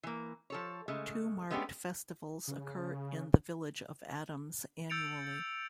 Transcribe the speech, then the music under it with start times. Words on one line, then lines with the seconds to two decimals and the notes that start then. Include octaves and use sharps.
Two marked festivals occur in the village of Adams annually.
0.03 E3 A#3
0.50 F3 A4 C#5
0.88 C#3 G#3 A3
1.51 G#3 A3 B3 C#4 D4 G4
2.48 C#3
4.90 E6 G6 A6 C#7 D7 F7